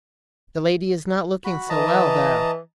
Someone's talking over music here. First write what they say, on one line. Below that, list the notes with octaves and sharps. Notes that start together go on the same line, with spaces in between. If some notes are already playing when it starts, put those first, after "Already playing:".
The lady is not looking so well, though.
F#4 B5
E3 D#5 A5 A#5